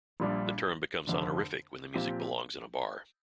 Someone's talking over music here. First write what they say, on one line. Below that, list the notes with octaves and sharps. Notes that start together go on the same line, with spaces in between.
The term becomes honorific when the music belongs in a bar.
A#1 A#2 G3 D4
F1 F2 D3
A#2 F3 C4 G4